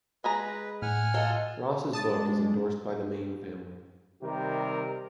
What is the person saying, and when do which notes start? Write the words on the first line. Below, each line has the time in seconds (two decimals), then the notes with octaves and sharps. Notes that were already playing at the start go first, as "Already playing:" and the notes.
Ross's book is endorsed by the Mayne family.
0.24 G#3 G#4 B4 A#5
0.82 A2 F#5 G#5 F6
1.14 F4 A4 D#5
1.93 G#3 D4 A5 D#6 A6
4.23 C3 D#3 G3 G4 A#4